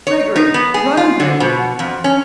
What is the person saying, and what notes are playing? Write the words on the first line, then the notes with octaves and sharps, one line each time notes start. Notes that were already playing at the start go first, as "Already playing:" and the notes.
Gregory! run, Gregory!
C#5
D#4
B3
G#4
F4
D3
B2
F2
C#4